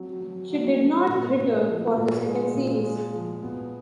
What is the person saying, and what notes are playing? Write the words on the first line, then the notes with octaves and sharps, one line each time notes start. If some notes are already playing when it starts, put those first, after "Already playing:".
She did not return for the second series.
Already playing: F#3 C4
F#3
F#3
A3
A#2
A#2
F3
A#2
G#3
A#2
G#3
F3
B3